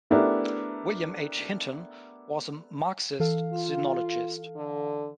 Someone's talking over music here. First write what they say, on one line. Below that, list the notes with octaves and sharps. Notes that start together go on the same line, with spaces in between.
William H. Hinton was a Marxist sinologist.
A3 B3 D4 E4 G4 A#4
E3 A4 F5
F4
D3